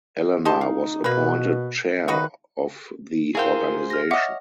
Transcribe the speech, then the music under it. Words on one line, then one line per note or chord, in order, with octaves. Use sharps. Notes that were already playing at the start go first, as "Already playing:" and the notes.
Elena was appointed chair of the organisation.
D#4 G4 A5 C6
D#4 F5
B2 A#3 B4
D#3 D#4 F#4 B4
E4 F#4 G#4 A#4 C5 F5 G5
F6 A#6
C#5 D#5 E5 F#5 D6